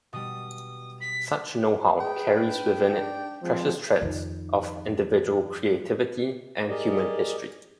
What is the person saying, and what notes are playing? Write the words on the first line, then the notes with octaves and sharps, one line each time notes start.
Such know-how carries within it precious threads of individual creativity and human history.
B2 G3 D#6
B6
G#4 B4 G5
D4
D5
F3 G#3 C4
F2 D#3
G4 G#4 A#4 D5 D#5